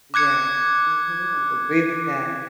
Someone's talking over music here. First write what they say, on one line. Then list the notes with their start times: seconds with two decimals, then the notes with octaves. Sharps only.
Yeah. Mhm, I would agree with that.
0.14 D6 F#6 G#6 C#7